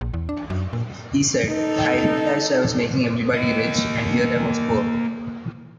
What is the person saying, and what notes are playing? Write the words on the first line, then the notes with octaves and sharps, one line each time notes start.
He said, "I realised I was making everybody rich, and here I was poor".
A#1
E2
D4
F#2
A#2
D#4 A4
A#3 D#5